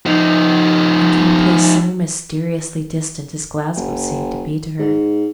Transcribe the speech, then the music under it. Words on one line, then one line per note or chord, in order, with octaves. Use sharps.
And to a place so mysteriously distant as Glasgow seemed to be to her!
F3 D#4
F#1
G#2